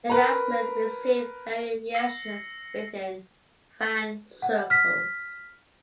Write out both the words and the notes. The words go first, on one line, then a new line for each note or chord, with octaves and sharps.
The announcement received varying reactions within fan circles.
A#4 B4 A#5
E6 A#6 C7 C#7
F#5
F6 B6